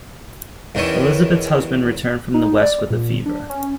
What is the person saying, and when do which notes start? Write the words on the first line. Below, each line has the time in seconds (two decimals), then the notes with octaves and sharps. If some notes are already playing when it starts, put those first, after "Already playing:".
Elizabeth's husband returns from the west with a fever.
0.75 E2 D#3 E3 C#4
2.34 D#4
2.62 D5
2.90 A#2
3.26 D4
3.50 C#4